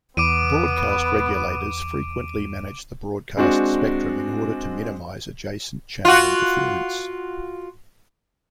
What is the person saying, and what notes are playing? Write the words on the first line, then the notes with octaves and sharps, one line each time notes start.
Broadcast regulators frequently manage the broadcast spectrum in order to minimize adjacent-channel interference.
E2 B3 D6 D7 D#7
G#3 C4 D4 F#4
F4 F#4